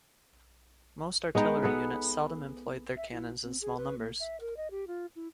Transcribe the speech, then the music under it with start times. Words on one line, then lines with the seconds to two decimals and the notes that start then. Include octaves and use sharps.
Most artillery units seldom employed their cannons in small numbers.
1.35 G#3 B3 D#4 G5
1.63 B3 G#4 A4 B4
2.97 E5
3.12 E4
3.43 C4
3.62 G#4
3.77 B4
3.98 A#3
4.20 E5
4.41 A#4
4.57 D#5
4.71 G4
4.87 F4
5.16 E4